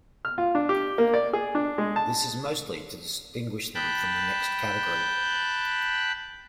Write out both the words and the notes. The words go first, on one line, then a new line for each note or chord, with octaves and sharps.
This is mostly to distinguish them from the next category.
F6
F4
D4
G4
A#3
D5
G#4
D4
G#3
A5
G5 A5 B5 F#6 G6